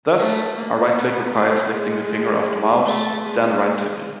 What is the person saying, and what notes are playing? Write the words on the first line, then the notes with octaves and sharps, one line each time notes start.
Thus a right-click requires lifting the finger off the mouse, then right-clicking.
A3
A#3
B3
A3
G#3
A3
G#3